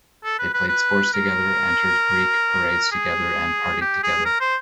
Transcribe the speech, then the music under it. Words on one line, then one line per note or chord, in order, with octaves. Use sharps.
They played sports together, entered "greek" parades together, and partied together.
A4
B4
B4
B4
A#4
G#4
G4
G#4
A#4
C5